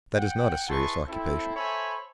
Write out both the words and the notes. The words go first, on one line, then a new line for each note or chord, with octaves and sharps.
That is not a serious occupation.
F#5 G5
E4 G#4 B4 A5 C6 C#6
C4 E4 A4
A4 C5 C#5 E5 G#5 B5